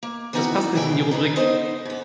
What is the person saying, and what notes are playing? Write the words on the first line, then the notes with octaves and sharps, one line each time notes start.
Das passt nicht in die Rubrik.
A#3
E3 B3 C4 D#4 E4 F#4
D2 B2 E4 G#4 G5
F#2 D#4 G#4 B4
B3 D#4 C5 D#5
G#2 B3